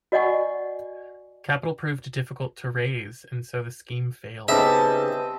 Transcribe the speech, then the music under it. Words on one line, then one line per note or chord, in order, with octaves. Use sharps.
Capital proved difficult to raise and so the scheme failed.
F#4 D5 D#5 F#5 G#5 C#6
C#3 G3 B3 C4 D#4 D#5 E5 A5